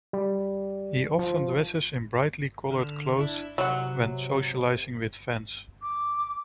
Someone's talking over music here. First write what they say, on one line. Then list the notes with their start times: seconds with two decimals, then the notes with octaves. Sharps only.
He often dresses in brightly colored clothes when socializing with fans.
0.13 G3
1.19 F3
2.70 D3 F6 E7
3.18 D4 E4 E5
3.58 C3 F#3 F#5
5.82 D6